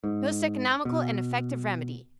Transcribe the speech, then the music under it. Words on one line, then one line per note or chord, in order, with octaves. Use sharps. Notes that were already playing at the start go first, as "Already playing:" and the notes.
Most economical and effective remedy.
G#2
B2